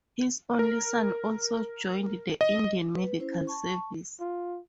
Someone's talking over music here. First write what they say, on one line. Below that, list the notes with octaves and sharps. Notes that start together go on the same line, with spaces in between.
His only son also joined the Indian Medical service.
A#4
D#5
B4
C#4 E4 C5
A5 C#6
F4